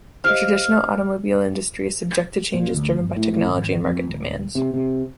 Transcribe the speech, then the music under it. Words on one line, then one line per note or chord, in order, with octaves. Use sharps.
The traditional automobile industry is subject to changes driven by technology and market demands.
G4 C5 D#5 F5 F6
A#2
D2
G1
A2
A2
G#1
F2
D1
C3
C3